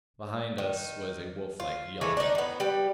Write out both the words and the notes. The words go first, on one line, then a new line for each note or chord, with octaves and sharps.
Behind us was a wolflike yelping.
D#3
F4
E3 G#3 A3
D4 D#4
A2 B3
G3 G4 B4